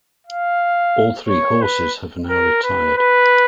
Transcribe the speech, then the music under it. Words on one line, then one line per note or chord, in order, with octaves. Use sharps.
All three horses have now retired.
F5
C#5
B4
A#4
B4
B4